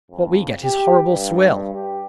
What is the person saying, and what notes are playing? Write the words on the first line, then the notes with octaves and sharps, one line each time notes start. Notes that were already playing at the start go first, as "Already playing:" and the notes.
What we get is horrible swill!
F2
G4
G2
G4